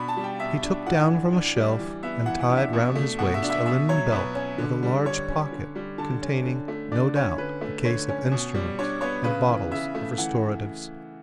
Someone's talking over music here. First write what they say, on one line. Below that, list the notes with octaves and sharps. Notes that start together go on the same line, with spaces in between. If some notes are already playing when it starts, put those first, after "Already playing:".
He took down from a shelf, and tied round his waist, a linen belt with a large pocket containing, no doubt, a case of instruments and bottles of restoratives.
Already playing: B2 D4 B5
A5
G3
G5
B2 E5
D4
A2 F#5
E3
D4
G3
E3
B3 E5
E3 F#5
F#5
D4
E5
B2
A3
B2 F#5
E5
D4
E5
B2 E5
F#3 C#5
B2 B4
C#4
D3
G3
D3 C#5
C#4
D3
G3
D3 A5
C#4
D3
A3
D3 D5
C#4 C#5
D3 B4
A3
D3 C#5
C#4
B2
G3
D4 C#5
B3 C#5
C#3 B4
E3
C#3 E5
A3
E3 F#5